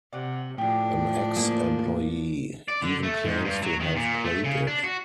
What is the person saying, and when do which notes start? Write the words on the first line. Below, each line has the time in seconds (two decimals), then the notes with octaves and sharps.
An ex-employee even claims to have played it.
0.13 C3 D5 F#5
0.58 A2 F3 D4 G4 G#4
1.36 A#3 G#5 D#6
2.68 D5
2.82 D3
3.03 A3
3.25 G#2
3.45 G2
3.62 F#3
3.80 D#3
3.96 A#2
4.24 A3
4.44 C#3
4.67 D4
4.84 F#4